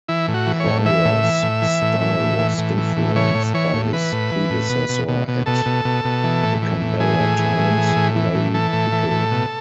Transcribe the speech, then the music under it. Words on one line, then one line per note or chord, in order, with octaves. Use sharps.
Pryor's style was influenced by his predecessor at "The Canberra Times", Larry Pickering.
E3 E4
A2
F#4
E3
C#5
A2
E3 E5
A2
E3
A2
E3
A2
E3
A2
E3
A2
E3
A2
E3 C#5
A2
E3 C#5
A2
E3 B4
A2
E3
A2
B2
B2
B2
B2
B2 A4
B2
B2
B2
E3
A2
E3
A2
E3 G#4
A2
E3
A2
E3
A2
E3
A2
E3 A4
A2
E3
A2
B2